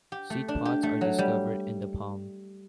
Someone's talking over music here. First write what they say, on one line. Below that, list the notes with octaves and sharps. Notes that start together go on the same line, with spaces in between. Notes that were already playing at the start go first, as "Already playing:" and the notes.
Seed pods are discovered in the palm.
G4
A3
D4
G4
A3
F#3
G3